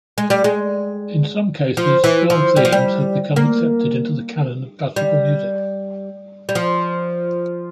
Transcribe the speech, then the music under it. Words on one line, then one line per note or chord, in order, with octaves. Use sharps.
In some cases, film themes have become accepted into the canon of classical music.
G#3
G3
G#3
F3
E3
F3
G3
F3
G3
A#3
G3
G3
F3